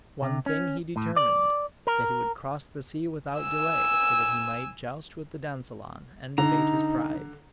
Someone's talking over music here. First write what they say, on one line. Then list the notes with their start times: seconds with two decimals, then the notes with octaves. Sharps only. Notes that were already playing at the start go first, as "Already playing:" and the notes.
One thing he determined, that he would cross the sea without delay, so that he might joust with the dansellon, and abate his pride.
0.22 C3
0.46 C#4
0.96 A2
1.16 D5
1.87 A#4
3.40 G#5 E6
6.38 D3 D#4 A#5